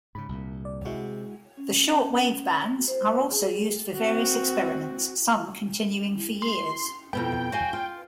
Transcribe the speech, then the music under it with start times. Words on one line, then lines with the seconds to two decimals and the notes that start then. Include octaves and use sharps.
The short wave bands are also used for various experiments, some continuing for years.
0.15 G#2 C#3 B5
0.29 C2 A#2
0.65 D5
0.85 C3 G#3 E4 F#4
1.57 C#4
2.88 C5
3.31 G#4
3.95 C4 F#4
6.42 C6
7.13 F2 B2 B3 G5
7.52 F#4 F5 G#5
7.73 F4